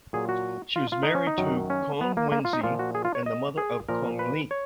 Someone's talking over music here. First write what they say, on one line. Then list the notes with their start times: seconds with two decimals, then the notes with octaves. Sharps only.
She was married to Kong Wenzi and the mother of Kong Li.
0.13 A#2 F#3 G#4
0.29 F#4
0.76 F4
0.92 F4
1.03 D#4
1.15 C#4
1.27 D#4
1.38 F#2 D#3 F#3
1.70 C#4
2.01 B3
2.17 A#3
2.32 A#3
2.45 F4
2.53 D#4
2.63 A#2 F3 F4
2.79 F#4
2.95 G#4
3.05 F4
3.15 C#5
3.26 D#5
3.58 G#4
3.89 A#2 F3 A#4
4.19 B4
4.51 C#5